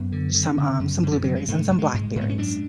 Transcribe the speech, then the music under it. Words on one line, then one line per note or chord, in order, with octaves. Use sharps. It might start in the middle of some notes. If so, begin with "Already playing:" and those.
some um, some blueberries, and some blackberries,
Already playing: F#2 B3
D3
D3
C#3
F#2
F#2
F3
C#3 F#3
G#3
G#2 A3
G#2
G#3
G#2
G#2
B3
C#4
F#2 D4